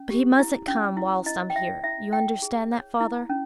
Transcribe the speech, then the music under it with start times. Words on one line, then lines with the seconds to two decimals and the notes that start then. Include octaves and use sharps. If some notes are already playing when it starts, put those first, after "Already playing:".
But he mustn't come whilst I'm here; you understand that, father?'
Already playing: C#4
0.10 G4
0.39 E4
0.68 C#4
0.97 E4
1.26 E4 D#5
1.50 G5
1.56 E4 E5
1.84 E4 E5
2.13 E4 G5
2.42 G#4
2.71 C#5
3.00 E4
3.30 C#4